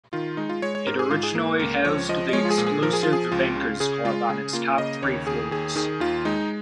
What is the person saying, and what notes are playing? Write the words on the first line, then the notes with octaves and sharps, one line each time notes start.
It originally housed the exclusive Bankers Club on its top three floors.
D#3 F4
G#3 D#4
F4
G#3 C#5
C#5
G#2 A#4
G#4
G#2 F4
G#4
A#3
C#2 A#4
F3 C#5
F3 D#5
D#5
G#3 C#5
F4
G#4
A#2
G#4
F3 A#4
G#4
F3 F4
G#4
C#2 F4
C#3
C#3 G#4
G#3 F4
C#3 G#4
A#3 F4
C#3 D#5
D#2 C#5
D#2 G#4
D#2 G#4
D#3 G#4
D#2 F4
G#3 D#4